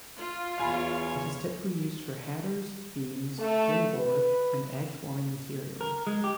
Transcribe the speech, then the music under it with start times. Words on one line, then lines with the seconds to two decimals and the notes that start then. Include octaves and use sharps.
It is typically used for headers, beams, rimboard, and edge-forming material.
0.17 F4
0.58 E2 C#5 F5 G#5 B5
3.38 A3
3.95 B4
5.81 A#4
6.07 G#3
6.24 G4